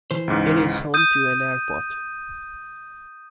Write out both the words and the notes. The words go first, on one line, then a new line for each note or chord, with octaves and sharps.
It is home to an airport.
E3 C5
C#2 G#2
D#6 G6 D#7